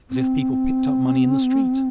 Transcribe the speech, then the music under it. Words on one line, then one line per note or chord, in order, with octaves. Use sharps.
As if people picked up money in the street!
C4